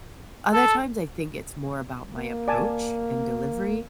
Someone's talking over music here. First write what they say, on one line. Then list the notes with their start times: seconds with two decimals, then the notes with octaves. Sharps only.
Other times, I think it's more about my approach and delivery.
0.53 A4
2.15 A#3
2.48 D5 G#5 A5